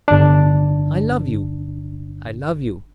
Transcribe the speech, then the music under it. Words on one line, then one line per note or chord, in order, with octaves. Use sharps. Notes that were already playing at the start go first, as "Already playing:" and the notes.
I love you!--I love you!
G1 D4